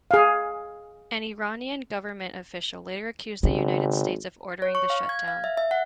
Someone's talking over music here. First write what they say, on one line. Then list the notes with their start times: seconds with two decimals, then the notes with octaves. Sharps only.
An Iranian government official later accused the United States of ordering the shutdown.
0.11 G#4 F5
3.43 G#1 C#3
4.62 C#5
4.75 C#6
4.90 F5
5.09 G#6
5.28 F5
5.44 E5
5.57 E5
5.71 F#5